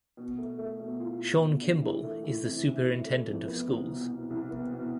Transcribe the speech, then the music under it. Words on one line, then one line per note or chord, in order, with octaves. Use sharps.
Shawn Kimble is the Superintendent of Schools.
B2
A3
A3
B2
F4
F4
B2
D4
E3
A3
E3
C3
C3
C3
A3
F2
B3
C2
B2
B2
C2
B3
B2